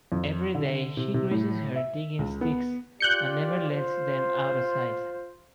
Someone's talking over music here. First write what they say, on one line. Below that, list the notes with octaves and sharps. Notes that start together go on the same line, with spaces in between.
Every day she greases her digging-sticks and never lets them out of sight.
F2
D3
C3
C3
A2
E5
C#2
B3
F4 G4 D5 F#6 G6 C#7
F4 C5